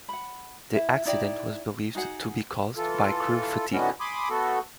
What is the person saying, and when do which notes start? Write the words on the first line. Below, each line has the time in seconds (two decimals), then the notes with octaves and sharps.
The accident was believed to be caused by crew fatigue.
0.09 F#5 B5
0.74 E4 E5
1.05 D#4 E4 D5 G5
1.95 D#4 F#4 G#4 F#5
2.77 E3 F4 A4
3.72 A2 D3 D#3 B3 C#4 F#4
4.00 G#5 B5 C6 D6 D#6
4.30 A3 B3 F#4 A4